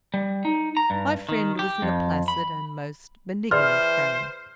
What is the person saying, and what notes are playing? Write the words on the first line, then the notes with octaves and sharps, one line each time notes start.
My friend was in a placid and most benignant frame.
G3
D#4
A#5
G2
D#3
G4
F2
B5
E3 G#4 C5 D5 C6 F6